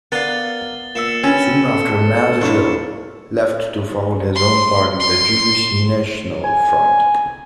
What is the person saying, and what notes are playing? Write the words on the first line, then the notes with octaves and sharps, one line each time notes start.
Soon after Marzel left to found his own party, the Jewish National Front.
B3 A#4 D5 F5 A6 G7
A#2 E5 E6 C#7 E7
C#4 G4 B4 E6 A6
A4 C#7
F2 A3 A#3 D4 E4 C#5
C6
C6
G#5